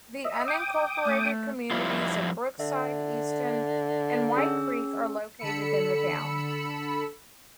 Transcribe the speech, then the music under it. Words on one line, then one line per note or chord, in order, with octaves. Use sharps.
The unincorporated communities of Brookside, Easton, and White Creek are located in the town.
D#5 E5
G5 D6 D#6
A3
F2 F3 G3 E4 F4
D3 E5
C#4 G#4 E6
D3 A4 B5 E6 C#7